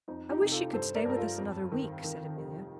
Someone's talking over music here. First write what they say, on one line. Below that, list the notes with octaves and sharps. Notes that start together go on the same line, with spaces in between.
"I wish she could stay with us another week," said Amelia.
F2 D#4
D#4 G4
C3
F4 A4
G2 A4 C5
A#4 D5
G2 A#4
F4 A4
F2
D#3
D#3
F1